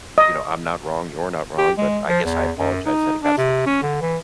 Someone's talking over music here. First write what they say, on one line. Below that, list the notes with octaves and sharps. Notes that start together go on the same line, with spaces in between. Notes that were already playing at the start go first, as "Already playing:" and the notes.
you know, "I'm not wrong, you're not wrong, but I guess I apologize that it got so heated."
D#5
G4
G#3
F3
E2
F#2
D#4
D4
C3
C#4
D3
E3